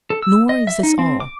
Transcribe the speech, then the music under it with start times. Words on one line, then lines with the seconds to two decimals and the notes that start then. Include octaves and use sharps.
Nor is this all.
0.10 A4
0.22 E6
0.49 D#5
0.67 E5
0.83 D#4
0.99 C4
1.20 D6